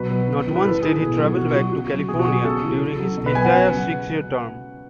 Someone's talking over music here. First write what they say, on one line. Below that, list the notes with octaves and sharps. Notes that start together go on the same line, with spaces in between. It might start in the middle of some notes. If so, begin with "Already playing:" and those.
Not once did he travel back to California during his entire six-year term.
Already playing: B2 F#3 B4
F#3
C#3
E3
B4
A2 A4
E3 G#4
B2
F#3
B2 F#4
F#3 F#4
C#3 F#4
F#3
B2 G#4
F#4
F#3 G#4
C#3 A4
E3
C#3
F#3
B2
B4
F#3 G#5
F#5
C#3
F#3